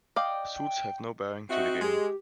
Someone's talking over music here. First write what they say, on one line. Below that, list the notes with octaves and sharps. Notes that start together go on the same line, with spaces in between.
Suits have no bearing to the game.
D5 D#5 F5 G5
C4 D#4 F#4 E5
G#3 G4